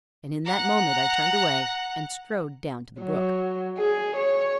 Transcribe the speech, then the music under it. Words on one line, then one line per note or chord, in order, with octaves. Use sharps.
And in that moment I turned away and strode down to the brook.
F#5 A#5
F#3
G#4
C#5